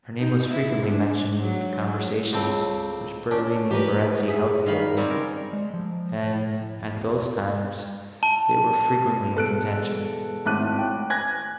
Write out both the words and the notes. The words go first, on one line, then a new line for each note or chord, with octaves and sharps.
Her name was frequently mentioned in the conversations, which Bertolini and Verezzi held together, and, at those times, they were frequently in contention.
D#4
E4
D4
F#3
F#3
C#2 C4 A4
C#4 D4
G4 A#4 B4
G#4 E5
D#3 F5 B5
G3 C4 C#5
C#3 A#4
G#3
F3
A2
E1
E2
A5
E1 A4 F#6 D7
G#1 A2 A5 D6 F#6 D#7
G5
G#5 F#6 G#6 A#6